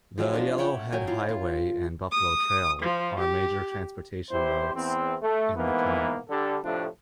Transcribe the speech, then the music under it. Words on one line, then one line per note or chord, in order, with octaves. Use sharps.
The Yellowhead Highway and Buffalo Trail are major transportation routes in the County.
F3 F#3 G#3 A3
C#4 D4 F4
C#5 E5 F#5 G5
F#3 G5 G#5
E4 F4 F5
F4
D#6
F3
G4
E2 E4 G4 C5
E2 C4
A3
G#2 E3 A#3 B3
D3 G3 A4
F2 A2 C3 F3 A3 D4